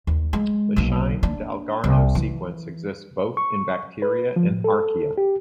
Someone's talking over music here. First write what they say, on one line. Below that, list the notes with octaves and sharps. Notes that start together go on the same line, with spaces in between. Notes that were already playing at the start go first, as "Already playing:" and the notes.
The Shine-Dalgarno sequence exists both in bacteria and archaea.
D#2
G#3
B1 A#3
A#3 D4
C2
E3
C#6
B4
F3
A2
A4
G4